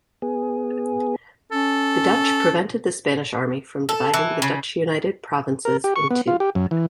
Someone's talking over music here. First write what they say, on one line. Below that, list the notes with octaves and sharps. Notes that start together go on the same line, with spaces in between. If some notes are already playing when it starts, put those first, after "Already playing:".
The Dutch prevented the Spanish army from dividing the Dutch United Provinces in two.
B3 G#4
C#4 A4
A4
E3
C#3
A#4
G4
C#6
B3
F4
G4
F#2
E3